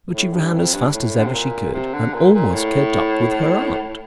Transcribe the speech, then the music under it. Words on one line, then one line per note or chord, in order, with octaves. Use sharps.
But she ran as fast as ever she could, and almost kept up with her aunt.
A2
G2
F2
G2
A2
D3
C3
A#2
C3
D3
A#2
A#2
A2